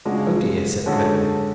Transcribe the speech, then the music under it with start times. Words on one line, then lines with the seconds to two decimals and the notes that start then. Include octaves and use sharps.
"Oh dear!" said Gwendolen.
0.05 C#3 G#3 D4 F#4
0.86 D3 G#3 C#4 F#4 A4